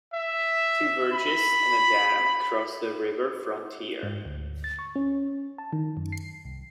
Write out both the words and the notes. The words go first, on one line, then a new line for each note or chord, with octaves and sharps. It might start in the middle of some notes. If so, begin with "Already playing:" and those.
Two bridges and a dam cross the river frontier.
E5
B5
G#2
D2
A6
C#6
C#4
A5
D#3
F#2
C7
C2